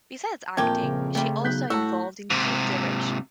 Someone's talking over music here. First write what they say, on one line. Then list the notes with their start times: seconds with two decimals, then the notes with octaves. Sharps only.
Besides acting she also involved in film direction.
0.57 A#1 F2 A3 G4 A#4 G#6
0.83 C#3
1.15 C3 G3 A3
1.44 B1 F#6 G6 B6
1.70 A2 F#4 A5 E6
2.30 G#2 C3